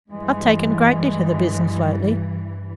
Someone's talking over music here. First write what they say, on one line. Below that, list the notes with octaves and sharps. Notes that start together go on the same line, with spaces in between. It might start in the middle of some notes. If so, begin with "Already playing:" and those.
I've taken greatly to the business lately.
G2 E3 G#3